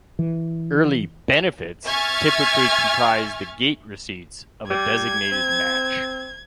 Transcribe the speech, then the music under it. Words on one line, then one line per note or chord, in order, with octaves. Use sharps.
Early "benefits" typically comprised the gate receipts of a designated match.
E3
E5 G#5 C#6 F6 G#6 A6
G3 G#6
C4